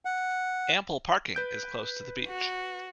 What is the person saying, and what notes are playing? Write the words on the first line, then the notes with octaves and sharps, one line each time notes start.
Ample parking is close to the beach.
F#5
B4 G6 D7
F#4